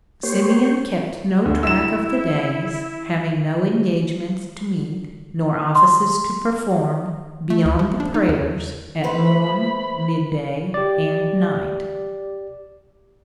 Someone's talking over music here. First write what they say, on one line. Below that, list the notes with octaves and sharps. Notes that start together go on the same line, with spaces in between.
Simeon kept no track of the days, having no engagements to meet, nor offices to perform, beyond the prayers at morn, midday and night.
A#3 G4 C5 C#5
D2
E4 E6 E7
C6
A3
D2
F3
D4
D#4
E2
A3 B4 C5 B5
G4 D5